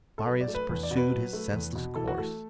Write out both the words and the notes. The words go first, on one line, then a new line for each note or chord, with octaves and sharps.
Marius pursued his senseless course.
A4
F#3 B4
D5
A3
B4
E2 B4
D5
B2
B4
F#3
A3
E2
B2
E3 A4
F#4
A3 A4